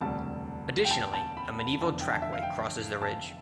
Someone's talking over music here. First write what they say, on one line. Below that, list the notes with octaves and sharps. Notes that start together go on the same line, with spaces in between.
Additionally, a medieval trackway crosses the ridge.
E1 D2 C3 G3 A5
G5
A5
A5
B5
B5
F1 E2 D3 A5
G5
A5
E5
F5
G5
A5